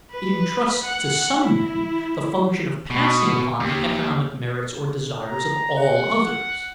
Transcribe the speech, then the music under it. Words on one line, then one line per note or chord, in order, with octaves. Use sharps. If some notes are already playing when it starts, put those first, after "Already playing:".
It intrusts to some men the function of passing upon the economic merits or desires of all others.
B4
F#5
E4
B2
D#2
A#5
F#5